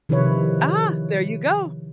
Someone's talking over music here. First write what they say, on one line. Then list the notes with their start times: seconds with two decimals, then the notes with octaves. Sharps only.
Ah, there you go!
0.09 C3 D#3 F3 E4 B4 C#5